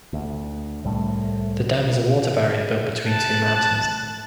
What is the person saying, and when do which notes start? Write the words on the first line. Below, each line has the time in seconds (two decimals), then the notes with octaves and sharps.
The Dam is a water barrier built between two mountains.
0.13 D2
0.85 C2 A2 G3 A3
3.07 A5 F#6